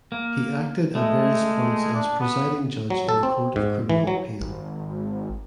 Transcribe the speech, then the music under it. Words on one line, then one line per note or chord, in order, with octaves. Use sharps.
He acted at various points as presiding judge in the Court of Criminal Appeal.
A#3
G#3 A3
D4
B3
F#3
A4
C4
G#2
E3
F#3
G#1